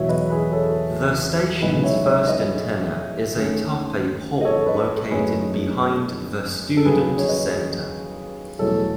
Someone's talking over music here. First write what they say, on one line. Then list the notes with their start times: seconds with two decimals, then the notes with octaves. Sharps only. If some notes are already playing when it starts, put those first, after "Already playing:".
The station's first antenna is atop a pole located behind the Student Center.
Already playing: E1 E2 B2 F#3 C#5 E5
0.08 B4 D#5
0.30 G#4 B4
0.52 A4 C#5
1.62 B1 A2 G#3 B4 D#5
1.83 C#5 E5
2.05 C#5 E5
2.28 B4 D#5
3.36 D#2 D#3 A3 C#4
4.41 D#5
4.45 A4 C#5
4.66 B4 D#5
5.10 F#1 F#2 D#3 A3 C#4 G#4 B4
6.77 A4
6.85 D#2 C#3 F#3 G#4 B4
7.18 C#5
7.28 B4 D#5
8.59 E2 B2 F#3 A3 A4 C#5